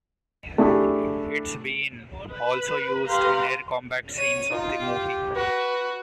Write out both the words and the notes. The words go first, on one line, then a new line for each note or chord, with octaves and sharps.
It's been also used in Air combat scenes of the movie.
A3 D4 E4 G4 G#4
B4
G4 B4 F5 A#5 C6
C#5 D#7
D#4 F4
G4
F#4 B4